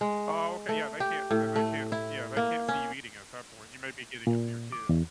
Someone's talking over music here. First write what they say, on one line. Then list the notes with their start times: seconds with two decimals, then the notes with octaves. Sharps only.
Oh, okay, yeah, they can't then they can't s yeah, they can't see you eating at that point. You may be getting it for your kid.
0.01 G#3
0.69 A3
1.00 G4
1.31 A2
1.56 A3
1.92 E4
2.37 A#3
2.68 C#4
4.27 A#2
4.72 D6
4.89 E2